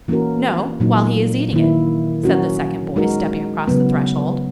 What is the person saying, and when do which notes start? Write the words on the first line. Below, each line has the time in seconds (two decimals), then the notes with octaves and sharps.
'No, while he is eating it,' said the second boy, stepping across the threshold.
0.08 E3 A#3 C#4 F#4 A#4
0.80 A#2 F#3 A#3 D#4
1.53 D#3 A#3 E4
2.24 F#3 C#4 F#4 A#4
2.96 G#3 D#4 F#4 A#4
3.67 C#3 F#3 B3